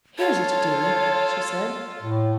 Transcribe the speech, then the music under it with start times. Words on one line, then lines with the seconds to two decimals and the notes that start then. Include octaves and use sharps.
"Here's a to-do," she said.
0.18 F4 A4 C#5
2.02 A2